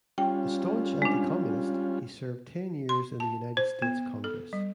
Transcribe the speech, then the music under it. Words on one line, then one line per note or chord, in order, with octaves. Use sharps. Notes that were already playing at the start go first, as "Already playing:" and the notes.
A staunch anti-communist, he served ten years in the United States Congress.
G3 C#4 F4 G5
G#3 D4
C6
A5
C5
B3
A4
G3